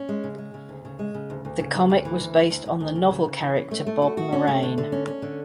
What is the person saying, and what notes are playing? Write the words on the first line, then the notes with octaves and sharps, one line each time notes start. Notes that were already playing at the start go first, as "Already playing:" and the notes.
The comic was based on the novel character Bob Morane.
Already playing: C#4
G#3
C#3
G#3
C#3
D2
C#3
G#3
C#3
D2
D2
C#3
D2
D2
E3
D2
D2
D2
D2
D2
C#3
C#3
D2
E3
C#4
A3
A3
F#4
F#4
C#4
A3
D3
D3
C#4
C#4
D3